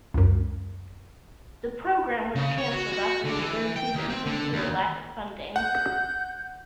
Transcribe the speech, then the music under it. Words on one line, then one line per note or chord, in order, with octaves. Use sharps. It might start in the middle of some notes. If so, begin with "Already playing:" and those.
The program was canceled after the third season due to a lack of funding.
C#2 F#2
C#3
C#5
F#4
F#4
D3
E3
G5
D#2
C4
D3
D#2
F#5 G6